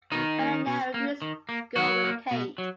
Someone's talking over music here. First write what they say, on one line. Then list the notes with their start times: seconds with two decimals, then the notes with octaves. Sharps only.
Helena agrees to go with Kate.
0.12 B2 D#3 D#4
0.39 A#3
0.66 B2
0.94 A#3
1.22 D#3
1.49 A#3
1.76 D#3 F#3 F#4
2.04 A#3
2.31 B2
2.58 F#3